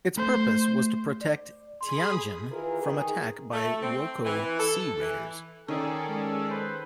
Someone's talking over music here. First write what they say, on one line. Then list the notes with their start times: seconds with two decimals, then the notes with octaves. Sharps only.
Its purpose was to protect Tianjin from attack by wokou sea raiders.
0.18 A3 C5
1.21 D5
1.81 G#4 B5 C6 D#6
2.52 D#3 E3 F4 G#4 A#4 B4
2.82 D#3 G#4
3.52 A3
3.83 C4
4.24 E3
4.59 A4
5.00 E3
5.68 D#3 C#4 G#4 A4 D5
6.09 G#3
6.49 B4 C5